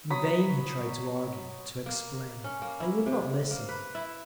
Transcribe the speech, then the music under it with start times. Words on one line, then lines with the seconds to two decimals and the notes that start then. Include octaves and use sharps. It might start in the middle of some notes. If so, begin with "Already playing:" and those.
In vain he tried to argue, to explain; they would not listen.
0.10 F#3 B5 D#6
1.86 A#3
2.44 C#4
2.62 A#3
2.80 E4
3.06 C3
3.51 A#3
3.69 B4
3.95 E4